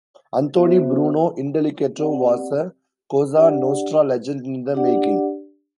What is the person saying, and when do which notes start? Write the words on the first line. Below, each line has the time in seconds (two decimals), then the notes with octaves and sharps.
Anthony "Bruno" Indelicato was a Cosa Nostra legend in the making.
0.56 B3 F#4 C5 E5
1.96 C4 G4 D5 F#5
3.35 D4 G4 D5 F#5
4.74 D4 G4 D5 F#5